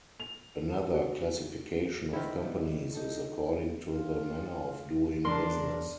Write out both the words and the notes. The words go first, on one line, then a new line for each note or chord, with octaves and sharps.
Another classification of companies is according to the manner of doing business.
F7
F#4
D#3 E4 A#4 C5
G3 B3
D#4 A4
F4
E2 D4 A#4 C6